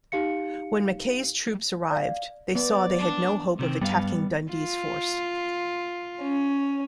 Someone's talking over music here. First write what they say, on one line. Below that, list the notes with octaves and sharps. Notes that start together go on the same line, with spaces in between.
When Mackay's troops arrived, they saw they had no hope of attacking Dundee's force.
D#4 G4 F5 C#7
D5 F5
B3 D5
D4
C3 D#3 C4
G2 G3 B3 F5
F4
C#4